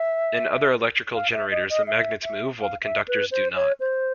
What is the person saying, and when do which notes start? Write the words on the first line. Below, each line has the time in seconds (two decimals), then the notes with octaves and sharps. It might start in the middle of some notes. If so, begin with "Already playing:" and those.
In other electrical generators, the magnets move, while the conductors do not.
Already playing: E5
1.14 F5
1.33 E5
1.51 D#5
1.69 D#5
1.87 E5
2.23 E5
2.60 F5
2.83 E5
3.08 B4
3.31 C5
3.56 C#5
3.80 C5